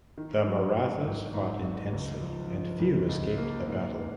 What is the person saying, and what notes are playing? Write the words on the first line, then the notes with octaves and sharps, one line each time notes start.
The Marathas fought intensely and few escaped the battle.
D#3
F#3
G#2
G#1
G#2
F#3
C#2
F3
F3
C#2
C#2
A#3
G#2